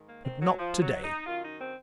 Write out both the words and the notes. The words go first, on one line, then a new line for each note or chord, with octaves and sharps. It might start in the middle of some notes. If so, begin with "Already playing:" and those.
But not to-day.
Already playing: G#2 D#3
A#3
C4
F#3
F3
F#3
D#4
F#2 D#3 F4
D#4
C4